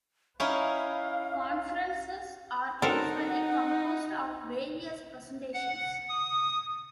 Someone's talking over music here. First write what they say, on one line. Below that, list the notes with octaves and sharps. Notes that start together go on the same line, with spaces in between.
Conferences are usually composed of various presentations.
C#4 D#4 E4 F5
F#3 C4 D4 D#4 A4 A#4 F#5
F#5
D#6